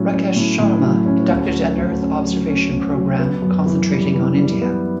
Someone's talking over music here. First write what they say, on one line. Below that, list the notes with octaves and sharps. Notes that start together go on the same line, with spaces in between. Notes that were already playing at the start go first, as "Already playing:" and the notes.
Rakesh Sharma conducted an Earth observation program concentrating on India.
Already playing: A2 F#3 C#4
C#4
A2
A2
F#3
C#4
D2
F#3
D2
C#4
F#3
C#4
D2
F#3
B3
F#2
E3
G3
E3
G3
B3